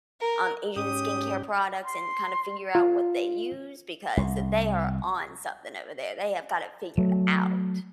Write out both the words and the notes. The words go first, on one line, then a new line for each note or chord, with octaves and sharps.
um, Asian skincare products and kind of figure out what they use, because they are on something over there, they have got it figured out.
A#4
G#2 C#4 G4 D#6
C6
F4
C2
F#3 A3